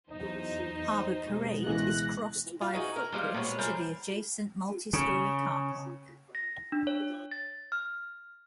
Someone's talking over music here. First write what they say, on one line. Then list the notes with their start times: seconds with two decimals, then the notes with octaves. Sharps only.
Harbour Parade is crossed by a footbridge to the adjacent multi-storey car park.
0.11 E2 F#3 D#4 C5 D#5
1.23 B2 G#3 B3
1.66 C#2 E3 G#4 F#6 A#6
2.61 F4
2.74 D#4 F#4 G#4
2.96 A#4
3.12 G3 G#3 C4 F4
3.34 A#2 G#3 B3 C#5
3.59 G3 G#4 A#4 C5
4.93 C#3
6.35 A#6
6.72 D4
6.87 C#5
7.31 A6
7.72 F6